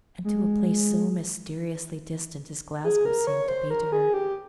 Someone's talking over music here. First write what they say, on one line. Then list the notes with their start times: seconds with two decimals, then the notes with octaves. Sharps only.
And to a place so mysteriously distant as Glasgow seemed to be to her!
0.25 G#3
2.84 G#4
3.05 A#4
3.27 C#5
3.48 C5
3.71 A#4
3.92 G#4
4.14 G4